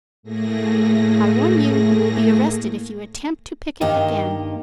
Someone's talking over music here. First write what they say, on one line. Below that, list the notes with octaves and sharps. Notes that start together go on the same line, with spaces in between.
"I warn you, you will be arrested if you attempt to picket again."
A2 A3 A#3 G#4 A#6
G2 D#3 A#3 D#4 G4